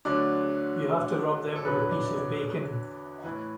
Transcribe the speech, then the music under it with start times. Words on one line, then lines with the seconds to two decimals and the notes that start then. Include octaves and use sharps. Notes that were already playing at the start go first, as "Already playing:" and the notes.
You have to rub them with a piece of bacon.
0.05 D2 D3 F#3 D5
1.55 A4
1.64 E2 D3 F#3 B4
1.91 D5
2.18 D5
3.24 A2 E3 B4